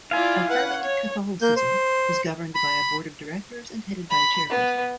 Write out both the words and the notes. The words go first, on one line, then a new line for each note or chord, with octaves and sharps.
Affirming Catholicism is governed by a board of directors and headed by a chairperson.
E4 F4 D5 F5 G#5
B4 F#5
C#5
A#3 G6
C5
B5
B5
B3